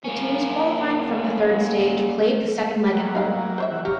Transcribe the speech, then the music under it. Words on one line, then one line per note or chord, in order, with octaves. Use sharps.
The teams qualifying from the third stage played the second leg at home.
A#3 C#4
F#3 A#3
D#4 F5
C5 C#5 E5
E3 F#4
G4 C#5 F5 A#5